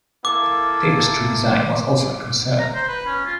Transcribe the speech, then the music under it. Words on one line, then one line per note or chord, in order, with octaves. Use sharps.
Tapestry design was also a concern.
A#3 E4 A4 D6
A#5
C5
B4
C#4
F4